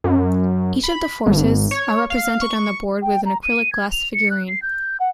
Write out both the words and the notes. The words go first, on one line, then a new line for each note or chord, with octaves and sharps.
Each of the forces are represented on the board with an acrylic glass figurine.
F#2
B5
G#1
C#5
F5
C#6
G5
A#5
D#7
G#6
F7
C#7
F#6
C7
G6
F#5